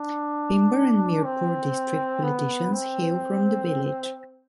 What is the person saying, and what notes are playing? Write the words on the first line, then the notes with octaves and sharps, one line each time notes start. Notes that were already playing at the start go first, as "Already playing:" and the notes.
Bhimber and Mirpur district politicians hail from the village.
Already playing: D4
C4
B3
C4